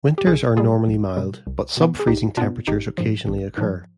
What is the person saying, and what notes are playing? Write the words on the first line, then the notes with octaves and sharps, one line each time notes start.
Winters are normally mild but subfreezing temperatures occasionally occur.
G4
B1 F4 G#4
B2 G3 F4 G#4
B1
B2 G3
C2
B2 B3
G#4
C2 D#4 G4
B2 B3 D4 F4
G#1 D#4 G4
G#2 F3
G#1
G#2 F3